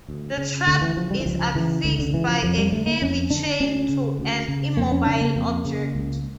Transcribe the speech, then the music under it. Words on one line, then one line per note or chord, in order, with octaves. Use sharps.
The trap is affixed by a heavy chain to an immobile object.
D2
C#3
D2 D3
E3
C#3 F3
G3
E3
C#2 F3
C#3 E3
C#2 D3
D3
C#3 E3
F3
F2 F3
G3
D3 A3
A#3
F2 C#4
D3 D4
D2 C#4
C#3
D2
C#3
F2 A#3
C#4
C#3 D4
A#3
F2 A#3
C#3
C#2